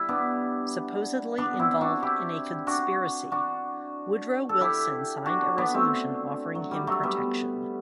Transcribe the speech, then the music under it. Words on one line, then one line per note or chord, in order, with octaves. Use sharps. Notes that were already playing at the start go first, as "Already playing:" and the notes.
Supposedly involved in a conspiracy, Woodrow Wilson signed a resolution offering him protection.
Already playing: G3 E4
B3 D4
B3 D4
C4 E4
D4 F#4
E4 G4
D4 F#4
D4 F#4
A4
E4 G4
D4 F#4
B3 D4
A3 C4
F#3
G3
F#3 A3
G3 B3